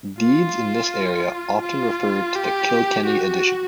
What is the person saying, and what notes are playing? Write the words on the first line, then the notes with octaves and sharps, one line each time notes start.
Deeds in this area often refer to the "Kilkenny Addition".
F4
F4
G4
F#4